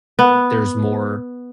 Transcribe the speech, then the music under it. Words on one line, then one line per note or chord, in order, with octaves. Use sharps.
there's more,
B3